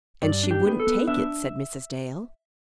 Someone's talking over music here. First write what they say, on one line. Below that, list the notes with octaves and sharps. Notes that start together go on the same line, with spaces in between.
"And she wouldn't take it," said Mrs. Dale.
G2 D5
D4
G4
B3
A4
B3
D4 E5